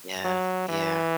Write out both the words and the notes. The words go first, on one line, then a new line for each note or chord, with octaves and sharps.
Yeah, yeah.
F#3
E3